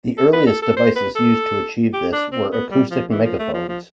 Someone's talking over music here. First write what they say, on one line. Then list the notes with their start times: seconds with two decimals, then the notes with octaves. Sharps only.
The earliest devices used to achieve this were acoustic megaphones.
0.18 A4
0.33 B4
0.47 A4
0.62 A4
0.77 C5
0.96 B4
1.15 A4
1.93 G4
2.13 D4
2.32 C4
2.52 B3
2.71 G3
2.91 F3
3.11 E3
3.25 F3
3.39 A3
3.54 F3
3.69 F3